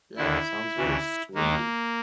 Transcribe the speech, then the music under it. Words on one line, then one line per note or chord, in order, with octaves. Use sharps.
Yeah, it sounds very sweet.
D#2 D3 E4
D2 C#3 E3
D#2 D#3 A#3